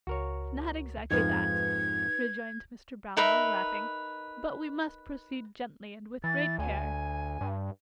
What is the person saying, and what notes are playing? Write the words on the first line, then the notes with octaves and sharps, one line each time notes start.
'Not exactly that,' rejoined Mr. Brownlow, laughing; 'but we must proceed gently and with great care.'
C#2 F#4 A#4 C#5
F2 G#2 F3 D#4 B4 G#6
D#4 A#4 B4 E5
E3 A6
D2 G#5
G2